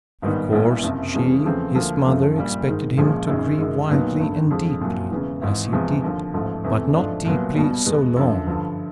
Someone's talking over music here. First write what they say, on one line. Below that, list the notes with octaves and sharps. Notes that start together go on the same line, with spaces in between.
Of course she, his mother, expected him to grieve wildly and deeply, as he did; but not deeply so long.
A#1 G#2 D#3 G3 B3
A#1 A#2 G3 B3 E4
F#1 F2 C3
F2 C#3 E3 G#3 C#4
E2 C#3 F3 A3 C4
D2 D3 F3 A#3
F#1 F#2 C#3 F3 A3
A#1 A#2 G3
G#2 D#3 G#3
A#1 A#2 F3 G#3 C#4
G#1 F#2 D#3 G#3 C#4
F#2 D#3 G#3
B1 A#2 F#3 B3 D#4
G#1 G2 D3
F2 D3 F3 G#3
C2 A#2 F#3
E1 E2 C#3
G#1 G#2 E3
E2 C3 F3 G#3
D#2 D3 F3
A1 G#2 F3 A3
E2 C3 E3 A3
G#2 F3 A3 D4
C2 A#2 F#3 B3
B1 B2 G3
E2 B2 G#3 B3
F#2 D3 F3
G2 D3 F3